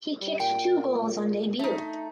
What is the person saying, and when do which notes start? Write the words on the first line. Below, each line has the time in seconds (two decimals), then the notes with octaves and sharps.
He kicked two goals on debut.
0.21 G3
0.40 A#2 G5
1.59 A3 D#4